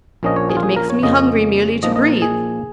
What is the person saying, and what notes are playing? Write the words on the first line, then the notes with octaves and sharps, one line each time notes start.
It makes me hungry merely to breathe.
A#1 A#2 F3 A#3 C#4 D#5
C#5
G#4
F4
G#4
A#4
C#5
F2 C#3 A#3 C#4 D#5
A#1 A#2 F3 A#3 D#4 D#5
D#5
G#4